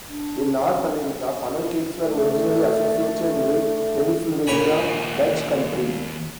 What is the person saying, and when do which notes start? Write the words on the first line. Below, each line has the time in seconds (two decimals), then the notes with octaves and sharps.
In North America, funnel cakes were originally associated with Pennsylvania Dutch Country.
0.07 D4
2.00 A3 D4
4.47 D#2 A#2 C#5 G#5 B5